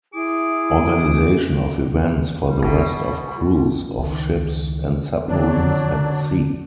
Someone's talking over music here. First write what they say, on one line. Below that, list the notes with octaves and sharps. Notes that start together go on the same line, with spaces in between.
Organization of events for the rest of crews of ships and submarines at sea.
E4 G#4 D6
G3
G#1 B2
F4
C#2 D#3
D3 F#3 C4 D4
D3